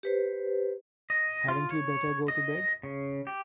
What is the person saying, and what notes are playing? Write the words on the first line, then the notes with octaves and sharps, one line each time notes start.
Hadn't you better go to bed?
G4 B4 C5
D#5
F4
C#5
D#5
C#3
G4